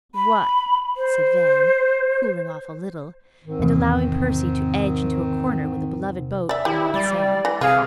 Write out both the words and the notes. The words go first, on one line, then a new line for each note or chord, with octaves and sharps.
"What?" said Van, cooling off a little, and allowing Percy to edge into a corner with the beloved boat and one sail.
B5
C5
G#2 D#3 C4
E2 C3
D5 E5
E4 G4
G3 D5
E3
C3 F4 G#4 F5